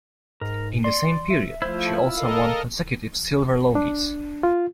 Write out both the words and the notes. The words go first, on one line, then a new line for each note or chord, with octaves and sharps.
In the same period, she also won consecutive Silver Logies.
G#2 A#4
D5 C6
E5
F3 A3 E4 F4 C5
A4 A#4 D#5 F5
D4
F4